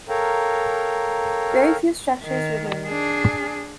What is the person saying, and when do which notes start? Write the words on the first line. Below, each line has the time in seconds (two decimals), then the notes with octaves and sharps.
Very few structures remained.
0.09 A4 A#4 C#5 F5 G5 A#5
2.24 D#3
2.87 D4 G#4